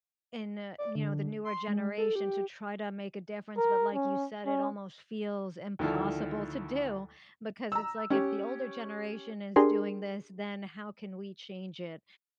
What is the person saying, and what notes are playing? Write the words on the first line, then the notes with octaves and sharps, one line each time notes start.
in, uh, you know, the newer generation to try to make a difference, but like you said, it almost feels impossible to do because it's like if the older generation is doing this, then how can we change it?
D5
D3
C6
G#3
A4
G4
A#4
C#4
C#4
D2 D#3 F3 E4 A4 F6
A#5 E6
C#4 G4
D4 G4 G#4 A#4 C6